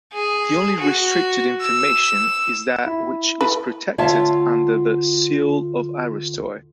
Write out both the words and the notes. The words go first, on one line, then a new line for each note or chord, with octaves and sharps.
The only restricted information is that which is protected under the "Seal Of Aristoi".
G#4
F#4
E6
E4
B4
D2 F4 C#5 E5 F5 A5